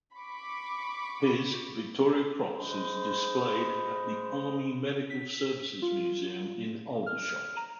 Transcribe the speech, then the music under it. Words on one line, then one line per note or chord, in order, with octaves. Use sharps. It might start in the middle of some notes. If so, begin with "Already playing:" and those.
His Victoria Cross is displayed at the Army Medical Services Museum in Aldershot.
B5 C#6 D6
G#3 C5 B5
B6
F4
F6
A#5